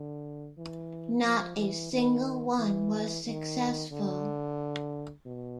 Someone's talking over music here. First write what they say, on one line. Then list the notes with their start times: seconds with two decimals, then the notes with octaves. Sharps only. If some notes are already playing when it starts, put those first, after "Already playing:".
Not a single one was successful.
Already playing: D3
0.58 E3
1.24 F3
1.57 E3
1.92 D#3
2.59 E3
3.25 D#3
3.92 D3
5.26 B2